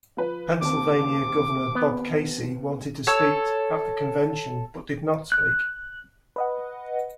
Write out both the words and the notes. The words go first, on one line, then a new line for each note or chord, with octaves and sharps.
Pennsylvania Governor Bob Casey wanted to speak at the convention, but did not speak.
F3 B4
D#2 C4 A5 D6
B3
A4 C#5 E6
F#6
B4 D#5 F#5